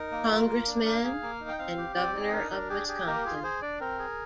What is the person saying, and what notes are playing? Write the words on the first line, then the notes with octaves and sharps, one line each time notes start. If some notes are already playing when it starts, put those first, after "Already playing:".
Congressman and governor of Wisconsin.
Already playing: D#4 A#4
A#3
F4
A#3
D4
A#3 F5
G#4
A#3
D#4
G5
C4 F5
G4
C4 D5
D#4
G#4
D4 A#4
D4 A#4
G4 G#4
G4 G#4
A#3 A#4
F4 G#4
G#4 C5
D4 D5
C4 A#4
G#4